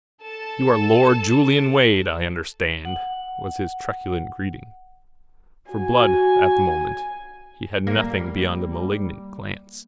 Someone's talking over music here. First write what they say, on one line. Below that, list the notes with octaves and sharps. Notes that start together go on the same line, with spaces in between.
"You are Lord Julian Wade, I understand," was his truculent greeting. For Blood at the moment he had nothing beyond a malignant glance.
A4 A5
F#5
F#4 G#5
G3 A#3